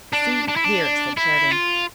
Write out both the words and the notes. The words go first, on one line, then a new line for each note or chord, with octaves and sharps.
"See here!" said Sheridan.
D4
D4
E4
D4
E4
F4